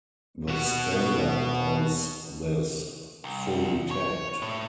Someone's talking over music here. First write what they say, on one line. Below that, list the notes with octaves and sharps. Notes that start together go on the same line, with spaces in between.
The standard calls this "fully tagged".
B2 F#4
C2
C#5
A2